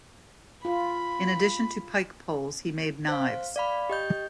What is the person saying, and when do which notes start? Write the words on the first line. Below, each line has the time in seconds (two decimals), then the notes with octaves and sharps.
In addition to pike poles he made knives.
0.65 F4 B5
3.08 C5 F5
3.56 D5 F5 B5
3.89 G4 D#5 G6